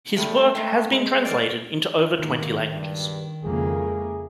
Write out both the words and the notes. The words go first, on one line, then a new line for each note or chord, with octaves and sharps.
His work has been translated into over twenty languages.
F3 G3 A3 B3
G#3 A3 C4
G#3 A#5
A#4 C5 D5
G#2 D#3 G3 A#3
C#2 G2
F2 C#3 G#3 A#3 E4 G#4